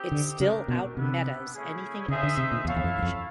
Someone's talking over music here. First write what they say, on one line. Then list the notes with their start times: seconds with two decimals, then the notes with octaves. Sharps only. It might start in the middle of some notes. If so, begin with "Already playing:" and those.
It still out-metas anything else on television.
Already playing: C4 D#4 G4
0.12 D3
0.40 C#3 A3 D4 G4 A#4
0.68 B2
0.96 C3 B3 D4 G4 B4 E5
1.52 A3 C#4 E4 G#4
2.08 C#3 D#4 G#4 C5 E5
2.23 D3
2.37 C3
2.52 A#2
2.65 E2 E4 A4 C#5 F5
2.76 E2
2.84 F2
2.98 F#2
3.02 F2